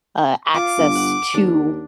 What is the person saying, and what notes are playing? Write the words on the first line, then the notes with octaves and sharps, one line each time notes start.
uh, access to
F4 D6
G1
F#5
D#2 D4